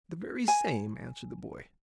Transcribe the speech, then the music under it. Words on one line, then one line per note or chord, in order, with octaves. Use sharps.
"The very same," answered the boy.
G#5